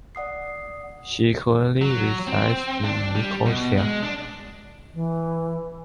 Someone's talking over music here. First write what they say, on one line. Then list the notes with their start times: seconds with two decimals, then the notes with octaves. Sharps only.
She currently resides in Nicosia.
0.15 D5 F#5 D#6 C7
1.81 F#3
2.27 C4
2.84 D4
3.15 G3
3.45 B2
3.77 G#3
4.03 D4
4.94 E3